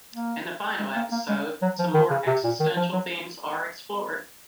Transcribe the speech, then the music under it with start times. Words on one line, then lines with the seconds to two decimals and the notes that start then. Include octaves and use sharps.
In the final episode, some more existential themes are explored.
0.14 A#3
0.79 G#3
0.96 A#3
1.12 A#3
1.29 G#3
1.62 F#3
1.79 F3
1.94 D#3
2.10 C#3
2.27 C3
2.44 A#2
2.60 D#3
2.76 F3
2.93 F#3